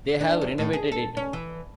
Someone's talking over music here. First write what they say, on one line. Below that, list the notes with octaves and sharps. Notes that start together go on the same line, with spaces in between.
They have renovated it.
D4
E2
A2
G#4
A4
C#4
E3